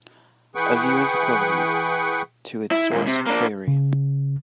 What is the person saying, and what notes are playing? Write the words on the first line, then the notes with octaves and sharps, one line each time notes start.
A view is equivalent to its source query.
E3 G#4 B4 F#5 G5 C#6
E4
D#2 G#2
C3
A#3 D4
C#3